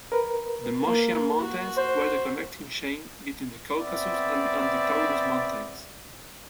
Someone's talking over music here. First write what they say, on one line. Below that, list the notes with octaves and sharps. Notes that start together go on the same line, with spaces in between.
The Moschian Mountains were the connecting chain between the Caucasus and Anti-Taurus Mountains.
A#4 B4
A#3
F#4
C5
B3 C4 D5 E5